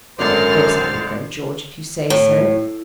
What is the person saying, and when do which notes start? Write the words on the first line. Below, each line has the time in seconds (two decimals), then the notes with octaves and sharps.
Of course I will go, George, if you say so.
0.19 G#1 F#2 D3 C5 D5 F6 A6
2.10 A2